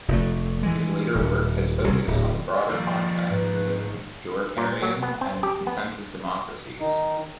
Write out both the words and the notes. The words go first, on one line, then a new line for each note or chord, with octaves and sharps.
His later work has focused on the broader contrasts between majoritarian and "consensus" democracies.
F1 A#2 A3
E3 G#3
D#1
C2 C#3
D1
G2 D#3 F3 A#3 D5
G#2 B4
A#2
F#3
B3
C4
G4
B3
D#3 D#4